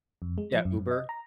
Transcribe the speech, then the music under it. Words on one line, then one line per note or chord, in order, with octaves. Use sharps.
Yeah, Uber,
F2
G#3
F3
F#2
F#2
D#5
A#5